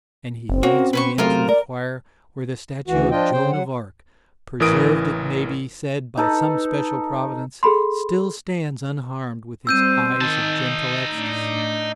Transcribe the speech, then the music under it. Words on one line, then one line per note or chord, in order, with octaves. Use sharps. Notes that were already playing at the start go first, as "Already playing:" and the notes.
And he leads me into the choir where the statue of Joan of Arc, preserved it may be said by some special Providence, still stands unharmed, with its eyes of gentle ecstasy.
F#1 C4
A#3 C#4 F#4
B2 B4 C5 C#6
F#2 C3 A3 F4 A#4 C5
A#4 D5
D2 E3 F#4
F3 D4 F4 D#5 G5
C#3 C5 G5
F#3 F#5
A1 E3 A#4 D#6 D7
D#4 A4 B4
G#4 A4 B5 C6
G3 C4 C5 E6 G6 D#7
D#3 D#4 A5
A2 D4